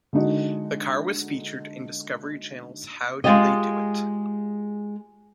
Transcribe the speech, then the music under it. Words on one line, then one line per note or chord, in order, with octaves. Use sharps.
The car was featured in Discovery Channel's How Do They Do It?
D3 G#3 D4 D#4 F#4
G#3 F4 G4 G#4 D#5